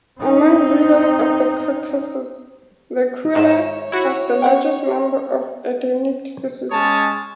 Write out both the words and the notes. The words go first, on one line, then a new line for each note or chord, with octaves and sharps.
Among rivers of the Caucasus, the Kura has the largest number of endemic species.
C4 D#4
G#2 D#3 D#4 C#5 E5 E7
E4 F#4
C#4 F#5 G5
G#3 C#4 C#5 A5 D#6